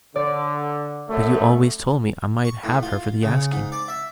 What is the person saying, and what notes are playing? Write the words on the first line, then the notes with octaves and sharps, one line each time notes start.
"But you always told me I might have her for the asking."
D3 D5
F#2 A3
C#6
A2
F4
C#3
G#2
D5
E5